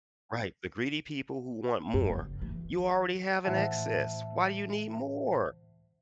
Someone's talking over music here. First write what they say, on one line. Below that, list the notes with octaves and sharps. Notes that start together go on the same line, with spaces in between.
Right, the greedy people who want more, you already have an excess. Why do you need more?
F#2
F#1
E3
A2 E3 C5 E5 F#5 A5